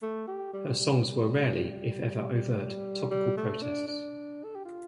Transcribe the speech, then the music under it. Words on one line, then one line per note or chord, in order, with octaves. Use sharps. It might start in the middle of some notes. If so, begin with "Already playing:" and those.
Her songs were rarely if ever overt, topical protests.
A3
G4
G3
G3
G3
A3
D4
D4
A4
G4
F4